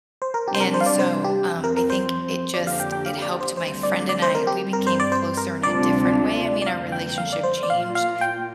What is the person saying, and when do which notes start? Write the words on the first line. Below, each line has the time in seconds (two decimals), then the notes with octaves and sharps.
and so, um, I think it just it helped my friend and I, we became closer in a different way, I mean, our relationship changed.
0.22 C5
0.34 A#4
0.48 C3 G3 D4 G4
0.54 C5
0.60 A#4
0.74 C5
0.81 F5
0.86 D5
0.99 C5
1.24 G4
1.51 F2 F3 C4
1.64 A#4
1.77 A#4
1.90 C5
2.54 F2 D3 A#3 G4 D5
2.67 F5
2.80 G5
2.92 G5
3.06 F5
3.22 D5
3.40 C5
3.57 D2 D3 G3 C4 C5
3.83 D5
4.09 D5
4.22 C5
4.35 A#4
4.47 G4
4.60 G2 G3 C4
4.73 A#4
4.87 C5
5.00 D5
5.12 C5
5.37 A#4
5.63 D2 C3 G3 D4 F4 D5
6.62 D5
6.66 F2 D3 G3 A#3 F5
6.92 G5
7.18 F5
7.33 D5
7.44 C5
7.63 D5
7.70 A#2 A#3 F4 F5
7.95 F5
8.21 G5